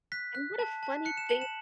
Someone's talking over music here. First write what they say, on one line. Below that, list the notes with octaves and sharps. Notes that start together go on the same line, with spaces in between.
And, and what a funny thing to
F#6 B6
F#6
A5
A5
F#6 C#7
E7
A5 F#7
E7